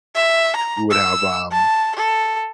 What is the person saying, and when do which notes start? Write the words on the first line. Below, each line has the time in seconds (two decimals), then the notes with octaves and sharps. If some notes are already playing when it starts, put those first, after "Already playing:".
we would have, um,
0.15 E5
0.56 A#5
0.91 E6
1.51 A5
1.95 A4